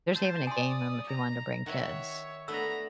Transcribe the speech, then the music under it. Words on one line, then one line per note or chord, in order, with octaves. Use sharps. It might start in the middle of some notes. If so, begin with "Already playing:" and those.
there's even a game room if you wanted to bring kids.
C5 A5
D5 G#5 C6 D#6
A#5
D#3 C#5 E5 F#5 A#5
D3 A3 B3 A#5 B5 E6